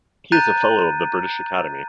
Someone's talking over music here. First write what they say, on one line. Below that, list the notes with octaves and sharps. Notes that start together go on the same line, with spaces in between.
He is a Fellow of the British Academy.
A#5 F#6 G6 A6 D#7